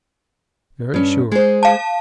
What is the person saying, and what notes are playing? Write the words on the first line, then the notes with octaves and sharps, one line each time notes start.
"Very sure!"
G2 C#4
G#3 C5
F5 A5